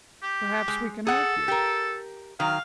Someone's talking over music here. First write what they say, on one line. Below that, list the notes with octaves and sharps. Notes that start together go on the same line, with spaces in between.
Perhaps we can help you.'
G4
G#3
G#4 A4 F#5
G4 A#4
D#3 F#3 F5